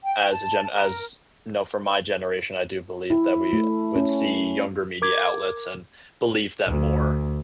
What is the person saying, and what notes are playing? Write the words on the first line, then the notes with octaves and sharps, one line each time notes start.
as a gen as no, for my generation, I do believe that we would see younger media outlets and believe them more.
G5
A5
A#4
E4
A3
C#4
A#4 D6 G#6
D2